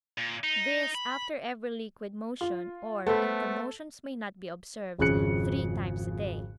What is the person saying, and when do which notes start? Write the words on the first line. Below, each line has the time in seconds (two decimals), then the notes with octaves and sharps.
This after every liquid motion, or, if the motions may not be observed, three times a day.
0.18 A#2
0.44 D#4
0.95 B5
2.41 F4
3.07 A3 B3 A4 C5
4.99 G#1 F2 C#3 G#4 F#6 C#7